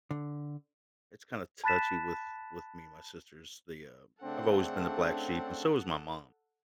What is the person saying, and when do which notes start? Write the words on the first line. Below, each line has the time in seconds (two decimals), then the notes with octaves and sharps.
it's kinda touchy with with me and my sisters. They, uh I've always been the black sheep and so has my mom.
0.11 D3
1.64 A5 B5 F#6 A6 B6 E7
4.23 C#3 A3 C4 D4 A4 F#5